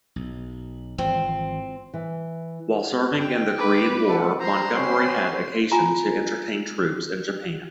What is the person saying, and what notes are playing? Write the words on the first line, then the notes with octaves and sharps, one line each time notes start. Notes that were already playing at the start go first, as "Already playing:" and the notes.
While serving in the Korean War, Montgomery had occasion to entertain troops in Japan.
B1
G#1 E3 F3 C4
E3
G5
B4 D6
A4 F#5
C5 A#5 C6
C#4 G4 B4
F4 G#5 A#5